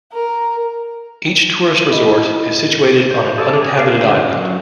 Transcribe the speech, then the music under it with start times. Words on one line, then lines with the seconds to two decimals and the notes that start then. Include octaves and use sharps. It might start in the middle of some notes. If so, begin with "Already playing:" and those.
Each tourist resort is situated on an uninhabited island.
0.13 A#4
1.91 E4 D#5
3.11 C5
3.38 G#4 A4 D5 A5 D6
3.63 G#4
3.77 B3 G4 A#4 B4 F5
3.94 D3 G#3 C#4 C5
4.33 F#3